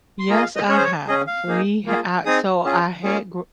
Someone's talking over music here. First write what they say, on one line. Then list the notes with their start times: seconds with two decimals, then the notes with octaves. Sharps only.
Yes, I have. We uh, so I had g
0.19 C6
0.30 A#3 F4 G#4 A#5
0.36 D#5
0.43 F5
0.56 D#5
0.69 C#4 C#5
0.73 G#4 C5
0.84 C#5
1.07 C#4 G#4 D#5
1.27 F5
1.47 A#3 D#4 G#4
1.86 A#3 F4 G#4
2.25 C4 D#4 G#4 D#6
2.65 C#4 F4 G#4
3.03 A#3 C#4 F4 G#4